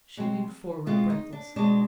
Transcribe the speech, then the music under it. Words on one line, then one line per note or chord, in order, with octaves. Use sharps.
She leaned forward breathlessly.
B2 G#3 C4
B2 G#3 C4 F4
D#4
D4
B2 G#3 C4 D4